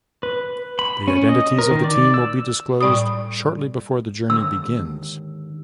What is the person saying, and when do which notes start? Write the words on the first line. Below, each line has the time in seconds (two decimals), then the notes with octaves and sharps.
The identities of the team will be disclosed shortly before the journey begins.
0.23 B4
0.79 B5
1.08 C#4
1.29 D#5
1.59 A#4
1.71 D#3
1.84 D5
2.14 E6
2.81 A2 G3 D5 B5 D#6
4.30 D#2 G#2 D3 E6